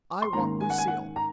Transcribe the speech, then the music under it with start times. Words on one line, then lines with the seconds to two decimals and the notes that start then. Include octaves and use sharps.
I want Lucille.
0.22 C6
0.33 G#2 D#3 A#3 C#4 A#5
0.60 G#5
0.70 F#5
0.78 G#5
0.88 F#5
1.16 A#5